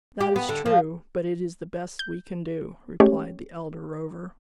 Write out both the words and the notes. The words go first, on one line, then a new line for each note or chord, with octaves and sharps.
"That is true, but it is the best we can do," replied the elder Rover.
G4
B3
D3
F3
G6
G#3 A3 C#4 G4 C#5